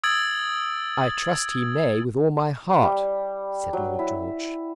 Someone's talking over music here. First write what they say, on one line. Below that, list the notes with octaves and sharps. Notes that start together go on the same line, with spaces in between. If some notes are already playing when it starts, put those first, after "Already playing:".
"I trust he may with all my heart," said Lord George.
D#6 E6 G#6 A6 D7 F#7
G3
F#3
E4